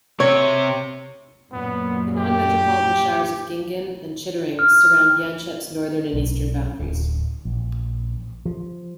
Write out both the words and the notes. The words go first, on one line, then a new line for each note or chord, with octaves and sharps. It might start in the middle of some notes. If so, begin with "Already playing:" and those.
The non-metropolitan Shires of Gingin and Chittering surround Yanchep's northern and eastern boundaries.
C3 C#5
F#2 A#2 B3
G4
F6
B1
D1
A#1
F3